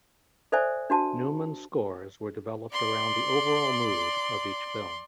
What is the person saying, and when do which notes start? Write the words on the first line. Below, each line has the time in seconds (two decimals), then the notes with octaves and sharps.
Newman's scores were developed around the overall mood of each film.
0.52 A4 C5 D5 E5 G#5
0.90 D4 F#4 A5
2.72 D5 C6